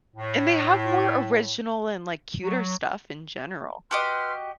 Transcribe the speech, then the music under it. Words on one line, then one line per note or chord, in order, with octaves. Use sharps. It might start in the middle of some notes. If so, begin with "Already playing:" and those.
And they have more original and, like, cuter stuff in general.
A2
F#3
F#4 G4 B4 D#5 C6 F6